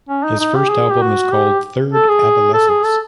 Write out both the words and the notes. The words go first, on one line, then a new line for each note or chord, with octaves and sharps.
His first album is called Third Adolescence.
C#4
D#4
D#4
G4
G#4
G4
F#4
G4
A4
G#4
A4
G#4
A4